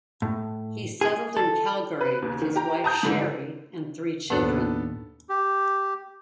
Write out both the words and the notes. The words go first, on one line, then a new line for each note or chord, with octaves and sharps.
He settled in Calgary with his wife Sherrie and three children.
A2
G#4
A4
B4
D#2
D#3
G4 A#5
A5 A#5 D#6 G6
G#2 D3 E3
D#2 A2 B3 D4 A4 A5
G4